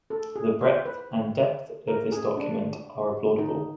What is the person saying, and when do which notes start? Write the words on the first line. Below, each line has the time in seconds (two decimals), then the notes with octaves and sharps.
The breadth and depth of this document are applaudable.
0.10 A4
0.36 G#4
0.61 C5
0.85 B4
1.88 A#4
2.12 G#4
2.37 D4
3.38 D#4